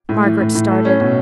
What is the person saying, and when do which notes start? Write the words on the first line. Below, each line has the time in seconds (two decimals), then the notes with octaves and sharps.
Margaret started.
0.09 A2
0.25 E3
0.40 A2
0.55 A2
0.71 A4
0.85 C#4
1.01 B2